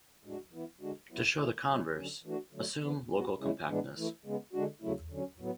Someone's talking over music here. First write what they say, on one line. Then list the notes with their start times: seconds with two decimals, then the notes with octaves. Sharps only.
To show the converse, "assume local compactness".
0.24 A2 G#3 D4 F#4
0.53 E3 B3 E4
0.81 D3 G#3 D4 F#4
1.10 F#3 B3 E4
1.39 E3 A3 E4
1.67 B2 F#3 C#4
1.96 D3 F#3 C#4
2.24 E3 A3 D4 F#4
2.53 D3 F#3 A3
2.81 C#3 E3 B3
3.10 A2 F#3 B3 F#4
3.39 C#3 G#3 C#4 E4
3.68 A2 E3 G#3 B3 D4
3.96 E3 A3 E4
4.25 C#3 G#3 B3
4.53 D3 G#3 D4 F#4
4.82 C#3 F#3 A3 E4
5.10 D3 F#3 C#4
5.39 A2 F#3 B3